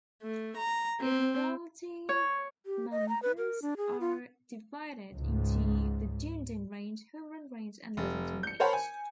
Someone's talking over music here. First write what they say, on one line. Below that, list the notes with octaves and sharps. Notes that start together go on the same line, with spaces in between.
The Admiralty Mountains are divided into the Dunedin Range, Homerun Range, and Lyttelton Range.
A3
A#5
C4
C#5
G4
D#5
A#5
B4
A#4
D4
G#4
F4
C#2 G#2
F1
G6 C#7
A#4 C5 C#5 F#5 A5 B5
G#5